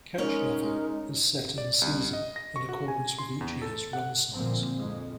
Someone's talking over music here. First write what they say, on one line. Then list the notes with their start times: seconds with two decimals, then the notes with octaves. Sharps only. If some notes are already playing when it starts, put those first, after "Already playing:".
Catch level is set in-season in accordance with each year's run size.
0.18 G#3 C#4 D#4 A#4 C#5
1.58 D5
1.82 C2
2.13 D#5
2.36 A#6
2.56 C#6
2.69 F#4
2.88 G#5
3.19 C6
3.41 E2
3.62 A4
3.93 F#5
4.34 A#2 D3 F3 A#3 C4
4.76 F2 G#3